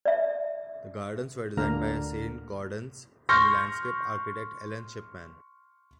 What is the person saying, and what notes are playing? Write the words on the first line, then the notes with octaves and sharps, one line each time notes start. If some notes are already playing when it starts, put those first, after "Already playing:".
The gardens were designed by Saint-Gaudens and landscape architect Ellen Shipman.
D5 E5
D2 A#2 D3 A#3 A#5 F6
C6 C#6 F6 G6 A#6